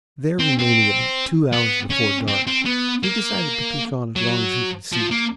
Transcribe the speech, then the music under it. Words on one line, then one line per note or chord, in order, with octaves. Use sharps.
There remaining about two hours before dark, he decided to push on as long as he could see.
C4
C4
B3
C#4
C4
C4
B3
A#3
F#3
F3
A#3